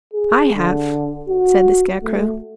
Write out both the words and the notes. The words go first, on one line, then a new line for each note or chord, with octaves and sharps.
"I have," said the Scarecrow.
G#4
D3
F#4
A3